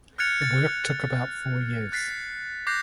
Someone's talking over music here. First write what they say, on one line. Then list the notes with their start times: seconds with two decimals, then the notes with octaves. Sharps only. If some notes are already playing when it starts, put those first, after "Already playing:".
The work took about four years.
0.18 F6 F#6 G#6 A6 C#7 F7
0.42 A6
1.92 F#6 A6 B6 C7
2.67 D6 F#6 G6 A6 A#6 C7